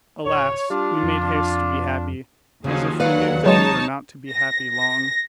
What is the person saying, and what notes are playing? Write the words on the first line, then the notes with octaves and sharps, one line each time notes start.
Alas, we made haste to be happy, as if we knew that we were not to be happy long.
D1 C#5
G3 D4 F4
F2
D#2 C#3 F3 F#3 G#4
F#3 B4 D5 F5 F#5
C#3 F#3 G#3 D#4 C#5 A5
A#6
A#6